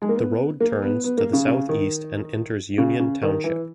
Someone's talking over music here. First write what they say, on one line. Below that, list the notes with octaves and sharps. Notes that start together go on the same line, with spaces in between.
The road turns to the southeast and enters Union Township.
G#3
A#3
B3
A#3
B3
B3
A#3
C#3
C#3
D#3
C#3
C#3
D#3
E3